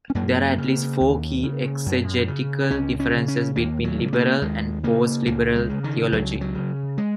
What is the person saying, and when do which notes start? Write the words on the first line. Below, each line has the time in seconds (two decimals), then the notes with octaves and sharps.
There are at least four key exegetical differences between liberal and postliberal theology.
0.10 C#4
0.15 F#2 A#3
0.58 C#3
1.01 D#2
1.43 C#3
1.86 F#2
2.28 C#3
2.71 C#2 C#4
3.00 C#4
3.14 C#3
3.28 C#4
3.56 D#2 A#3
3.84 F#3
3.99 C#3
4.13 A#3
4.42 D#2 G#3
4.84 C#3 A#3
5.26 C#2 A#3
5.56 G#3
5.69 C#3
5.84 D#3
6.12 C#2 F#3
6.41 F#3
6.55 C#3
6.98 G#3